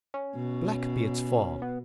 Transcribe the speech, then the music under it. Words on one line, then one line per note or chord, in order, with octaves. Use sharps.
Black be its fall!
C#4
B2
B3